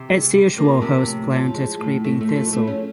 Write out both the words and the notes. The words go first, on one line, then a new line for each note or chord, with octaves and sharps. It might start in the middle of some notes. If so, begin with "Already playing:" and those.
Its usual host plant is creeping thistle.
Already playing: C3
G#3
C3
F3 A#3
C3
A2
F3
G#3
A2
A2 A3
A3
F3
A3
G#3
F3 A3
C#4